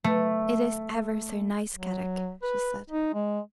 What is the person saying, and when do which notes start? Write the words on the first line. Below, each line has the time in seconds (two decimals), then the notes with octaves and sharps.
"It is ever so nice, Kadok," she said.
0.04 A3
1.76 F#3
2.43 B4
2.90 D#4
3.13 G#3